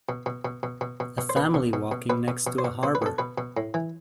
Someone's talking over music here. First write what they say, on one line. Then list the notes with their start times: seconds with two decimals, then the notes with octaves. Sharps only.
A family walking next to a harbor.
0.09 B2
0.26 B2
0.45 B2
0.63 B2
0.81 B2
1.00 B2
1.18 B2
1.29 C5
1.36 B2 B4
1.54 B2
1.73 B2
1.92 B2
2.10 B2 B4
2.28 B2
2.47 B2
2.58 C5
2.65 B2
2.83 B2 C5
2.95 B4
3.02 B2 A4
3.18 B2 B4
3.38 B2
3.57 A2
3.74 E3